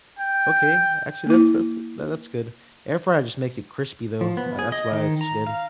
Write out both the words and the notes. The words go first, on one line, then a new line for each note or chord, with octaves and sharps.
Okay, actually, that's that's th that's good. Air fryer just makes it crispy, though, ah, that's why it's good.
G5
A#3 E4
F3
B3
G#4
D#5
D#3
A#5
F5